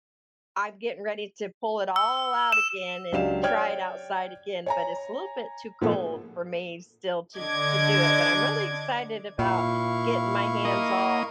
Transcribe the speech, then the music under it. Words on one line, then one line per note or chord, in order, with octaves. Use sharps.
I'm getting ready to pull it all out again and try it outside again, but it's a little bit too cold for me still to to do it but I'm really excited about getting my hands all
E6
E7
C#2 F#3 D4 G4 F5 E7
C#5 D5 G5 F6 G#6
C#5 G#5 A#5
A#2 F3 A3 B3 G#4 A4
D3 D4 D#5 D6 G#6
A#2 E4 F5 C#6
A#3 D#5